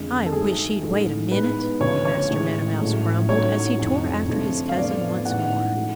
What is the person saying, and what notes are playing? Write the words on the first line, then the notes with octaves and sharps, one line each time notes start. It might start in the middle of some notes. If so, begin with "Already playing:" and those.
"I wish he'd wait a minute," Master Meadow Mouse grumbled as he tore after his cousin once more.
Already playing: F2 D3 G#3
A4
G#2 F#3 A3 G#4
A1 G#2 F3 G#3
G#2 G#3 B3 B4
D2 C#3 F3 C#5
C#5
A1 A2 G#3
A1 A2 F#3 A3 D4
A1 G#2 F#3 C#5
F1 F2 F3
F1 F2 D3 F3 A3
F5
A2 F3 B3 D4 F4 D5
A1 G#2 G#3 F#5
F3 A3